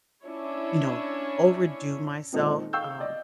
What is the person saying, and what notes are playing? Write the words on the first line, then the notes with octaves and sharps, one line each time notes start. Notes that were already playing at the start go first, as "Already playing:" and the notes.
you know, overdo myself, um,
C#4 D4 E4 C#5
A#2 D#3 G#3 C4 D#4 A4
F5 G5 C#6 E6 G6
D5 D#5